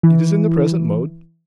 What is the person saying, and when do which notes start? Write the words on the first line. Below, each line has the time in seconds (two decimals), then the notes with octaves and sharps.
It is in the present mode.
0.03 E3